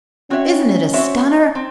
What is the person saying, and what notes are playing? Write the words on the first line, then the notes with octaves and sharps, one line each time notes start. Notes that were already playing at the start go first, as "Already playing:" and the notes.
Isn't it a stunner?
C4 C#4 F#4 C#5 E5
C4 F#4 C#5 E5
C4